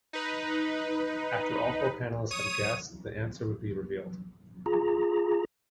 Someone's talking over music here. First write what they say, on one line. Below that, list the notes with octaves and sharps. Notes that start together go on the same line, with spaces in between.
After all four panellists had guessed, the answer would be revealed.
D#4 B4
C#5 D#6 D#7
F4 G#4 A#5